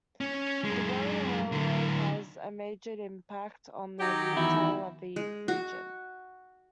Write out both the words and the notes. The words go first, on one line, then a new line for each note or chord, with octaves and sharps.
The road and railway had a major impact on the Tel Aviv region.
C#4
F#2 G#3
D3 F#3
D#3 F#3 D#4 F#4 G4
E2 E4
G#3
F#4